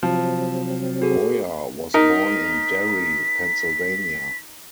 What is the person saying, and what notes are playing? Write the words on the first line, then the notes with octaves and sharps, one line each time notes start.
Boyer was born in Derry, Pennsylvania.
C3 F3 F#3 C4
F#4 G#4 A4
D#4 A#4 B6